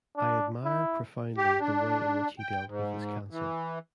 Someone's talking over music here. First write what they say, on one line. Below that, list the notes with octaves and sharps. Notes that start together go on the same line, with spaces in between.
I admire profoundly the way in which he dealt with his cancer.
D4
E4
G4
D4
G5
G#2
E3